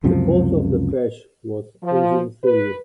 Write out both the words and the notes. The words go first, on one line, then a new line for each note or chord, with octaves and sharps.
The cause of the crash was engine failure.
C#2 F#2 C3 F3
F3
B4